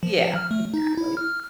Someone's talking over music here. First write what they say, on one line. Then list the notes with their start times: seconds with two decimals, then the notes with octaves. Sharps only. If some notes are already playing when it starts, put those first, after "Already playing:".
Yeah, exactly.
0.03 F3
0.36 F6
0.51 A3
0.74 D#4
0.97 E4
1.17 F6